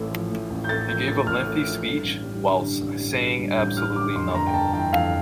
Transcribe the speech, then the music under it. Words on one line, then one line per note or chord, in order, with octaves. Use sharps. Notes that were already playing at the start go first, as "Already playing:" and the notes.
He gave a lengthy speech, whilst saying absolutely nothing.
Already playing: A1 A2 A3
F3
A2
A1
G6
A3 A6
F3 G6
A2 A6
A1 F6
A3
F3
G2
A1
G3
D3
G2
A1
G3
D3
G2
A1 G6
G3 F6
D3 D6
F2 C6
G1 A#5
G5
G1 A5
E3 G5
F2 F5